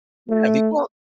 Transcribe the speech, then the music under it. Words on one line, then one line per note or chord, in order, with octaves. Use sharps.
Yeah, the e well,
A3